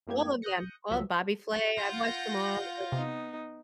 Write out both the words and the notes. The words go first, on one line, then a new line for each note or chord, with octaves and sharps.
All of them, all of Bobby Flay, I've watched them all, I
F#2 A2 A#3 B3 G4 G#6
D#6 F#6 G6 A#6 C#7
C#2 F3 F#3 F#4 G4 E5
F4 F#5 G6 A#6
C3 B3 D#4